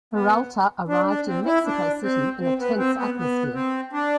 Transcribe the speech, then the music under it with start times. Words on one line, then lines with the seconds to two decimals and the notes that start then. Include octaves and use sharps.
Peralta arrived in Mexico City in a tense atmosphere.
0.14 B3
0.88 D4
1.08 D4
1.27 C4
1.46 E4
1.65 D4
2.03 C4
2.40 C4
2.59 B3
2.78 C4
2.97 B3
3.17 B3
3.54 C4
3.93 D4